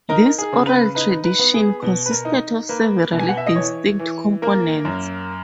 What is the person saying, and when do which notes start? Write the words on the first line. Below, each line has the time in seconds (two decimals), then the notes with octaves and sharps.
This oral tradition consisted of several distinct components.
0.09 D#4 A#4
0.38 G#4
0.52 C#3
0.67 B4
0.95 D#4 B4
1.24 B4
1.39 B3
1.54 G#4
1.82 B2
2.06 B4
2.11 A#4
2.25 D#4
2.69 A#3 B4
3.13 B2
3.19 G#5
3.29 F#5
3.37 E5
3.46 D#5
3.56 E3 C#5
3.99 E3
4.42 A#3 A#4
4.85 F#2